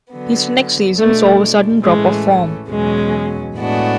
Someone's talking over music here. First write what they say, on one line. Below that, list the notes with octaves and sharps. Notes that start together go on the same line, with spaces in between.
His next season saw a sudden drop of form.
D3 F#3 B3
B2 G#3 A3 D4
A2 E3 G#3 A3 C#4
E2 B2 F#3 G#3 C#4
A2 G#3 B3 D4 F#4